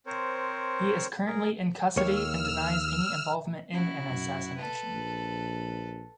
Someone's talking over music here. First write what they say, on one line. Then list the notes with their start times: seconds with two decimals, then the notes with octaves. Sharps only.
He is currently in custody and denies any involvement in an assassination.
0.07 C4 A#4 C5 C#5
1.26 G#4 A#4
1.97 D#2 A#3 C#5 E6 F6
3.73 C#4 E4 F#4
4.09 F#2
4.56 A4 B4
4.93 A#1